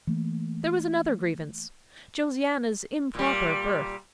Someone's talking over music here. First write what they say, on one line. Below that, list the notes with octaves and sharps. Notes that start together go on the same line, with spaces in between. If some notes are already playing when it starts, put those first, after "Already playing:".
There was another grievance, Josiana's "improper" birth.
E3 A3 A#3
A#2 G3